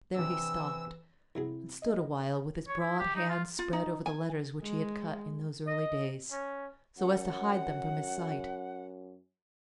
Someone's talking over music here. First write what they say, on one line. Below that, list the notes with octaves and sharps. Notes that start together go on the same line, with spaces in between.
There he stopped and stood a while with his broad hand spread over the letters which he had cut in those early days, so as to hide them from his sight.
C3 E3 D4 E6
C2 F#3 C4 E4 G#4
D#4 D#5
C#5
E4
G4
D#4
F4
F4
D#4
G#5
G#3
D#5
C#4
F#2 F#5